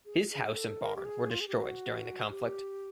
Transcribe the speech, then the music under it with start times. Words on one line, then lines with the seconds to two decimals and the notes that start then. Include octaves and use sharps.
His house and barn were destroyed during the conflict.
0.05 G#4
0.30 G#4
0.55 A4
0.80 A#4
0.96 G4
1.05 G#4
1.30 F4
1.40 G#4
1.48 G4
1.55 F#4
2.30 G4